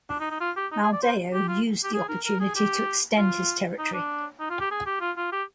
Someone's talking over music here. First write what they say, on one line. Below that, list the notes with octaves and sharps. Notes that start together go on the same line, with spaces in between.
Maldeo used the opportunity to extend his territory.
D4
D#4
D#4
F4
G4
D#4
G#4
D5
C5
G4
F4
G4
G#4
A#4
A#4
G#4
G4
F4
D#4
D4
D#4
F4
G4
G#4
G4
F4
F4
G4